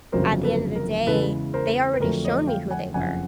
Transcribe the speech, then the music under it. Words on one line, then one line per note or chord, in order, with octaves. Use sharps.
at the end of the day, they already shown me who they were.
G1 F2 C#3 F#3 A#4 C5
A4 B4
A#4
E2 C#3 E3 G#3 A4 B4
A#4 C5
B4
F2 D3 F#3 A3 A#4 C5
C#5 D#5
F5 G5
F#5 G#5
F#1 F2 C#3 F#5 G#5